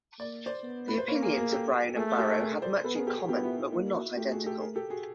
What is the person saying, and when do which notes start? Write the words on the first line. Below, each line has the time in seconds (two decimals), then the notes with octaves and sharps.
The opinions of Browne and Barrowe had much in common, but were not identical.
0.19 A#3 D5
0.46 C5 D5
0.63 B3
0.88 B4
0.98 C5
1.08 A#3 B4 C#5
1.22 G#4 A#4
1.37 G#4 A#4
1.52 G4 A4
1.96 A3 G#4 A#4
2.18 G4 A4
2.31 A4
2.40 G#4 A#4
2.62 C5 D5
2.84 B3 A4 B4
2.95 G#4 A#4
3.07 G4 A4
3.18 F#4 G#4
3.29 B3 F4 G4
3.43 E4 F#4
3.58 D#4 F4
3.72 A#3 D#4 F4
3.95 E4 F#4
4.16 A3 F4 G4
4.31 F#4 G#4
4.46 G4 A4
4.61 G#4 A#4
4.76 G4 A4
4.90 F#4 G#4